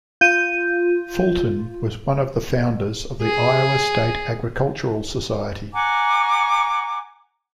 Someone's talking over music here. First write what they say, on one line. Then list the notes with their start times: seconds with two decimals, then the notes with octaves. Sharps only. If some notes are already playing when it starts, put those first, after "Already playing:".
Fulton was one of the founders of the Iowa State Agricultural Society.
0.21 F4 G6 D#7
3.23 G#4
5.73 F#5 G#5 A#5 D6